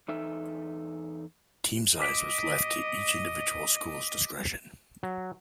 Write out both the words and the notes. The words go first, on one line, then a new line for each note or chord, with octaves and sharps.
Team size was left to each individual school's discretion.
E2 D#4 A4 E5
D#5 D6 B6 D7
F#3